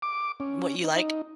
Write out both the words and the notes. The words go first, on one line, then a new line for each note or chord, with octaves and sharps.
what you like?
D6
C#4
D#4